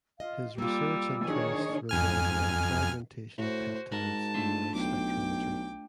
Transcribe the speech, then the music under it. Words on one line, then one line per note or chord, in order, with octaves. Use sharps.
His research interests revolve around fragmentation of peptides in mass spectrometry.
F4 D#5 F5
G3 A#3 F4 E6
D#3 D4 G#4 C#5
F2 G#5 F6
A2 F#4 C5
G#2 F#4 A#4 A5
A3 D4 F4
B1 G5 D6